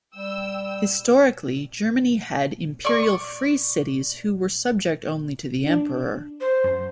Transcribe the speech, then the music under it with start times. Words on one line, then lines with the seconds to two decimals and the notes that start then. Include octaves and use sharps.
Historically, Germany had Imperial Free Cities, who were subject only to the Emperor.
0.16 G3 G5 E6
2.85 D5 C#6
5.67 D4
6.41 C5
6.64 F#2